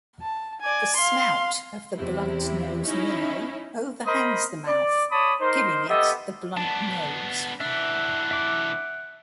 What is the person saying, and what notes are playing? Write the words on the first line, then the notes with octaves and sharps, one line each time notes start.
The snout of the bluntnose minnow overhangs the mouth, giving it the bluntnose.
A5
D5 G#5
F5 C6
E2 C3 E4
C#4 D#4 E4
A#4 C5 D#5 B5 D#6
D5
C#5 A5 B5 D6 D#6
D#4 A#4 C5
B3 G4 A4 D#5 E5
B3 D4 A5
E3 D4 E5 F#5
E5 D6